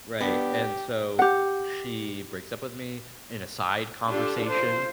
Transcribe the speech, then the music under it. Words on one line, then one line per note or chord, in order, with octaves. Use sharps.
right, and so, she breaks up with me, in a side conversation,
B3 D4 G4
G4 F#5
D4 F4 G4 A4
F4 C5